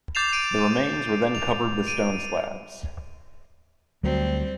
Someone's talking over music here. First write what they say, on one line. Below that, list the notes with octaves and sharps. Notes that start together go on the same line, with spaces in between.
The remains were then covered with stone slabs.
D6 G6 A6 C7 E7 F7
D7 D#7
F7
D7 D#7
D2 F#3 G3 A3 C4